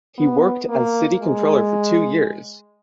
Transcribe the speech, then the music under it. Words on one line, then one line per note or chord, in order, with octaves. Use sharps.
He worked as City Controller for two years.
B3
A#3
G#3